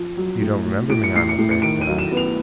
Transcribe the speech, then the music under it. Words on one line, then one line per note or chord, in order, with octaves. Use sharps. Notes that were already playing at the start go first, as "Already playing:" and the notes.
'You don't remember me, I am afraid,' said I.
Already playing: F3
F#3
A2
A2
A2 D7
C#7
A2 C7
C#7
A2
C#7
D#3 D7
D#7
F#3
E7
B3
F7